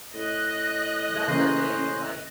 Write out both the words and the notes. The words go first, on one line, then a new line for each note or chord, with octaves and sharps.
That's the thing is, like,
A2 D#5 F#6
C#3 E3 A#3 C#4 C5 C6